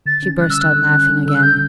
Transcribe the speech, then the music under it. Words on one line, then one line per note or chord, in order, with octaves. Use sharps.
She burst out laughing again.
D3 A6
C#4
G3 F#6
E6
D3 F#6
D3
C#4
G3
D3 E6
F#6
G6